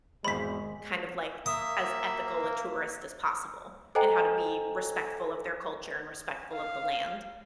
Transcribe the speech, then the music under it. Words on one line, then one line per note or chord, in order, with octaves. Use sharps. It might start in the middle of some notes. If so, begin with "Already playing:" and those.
kind of, like, as ethical a tourist as possible, and how to be respectful of their culture and respectful of the land.
G#1 E2 G#3 C5 B5 B6
A#3 E5 D#6
A4 C5 D#5 G5 G#5 A#5
F5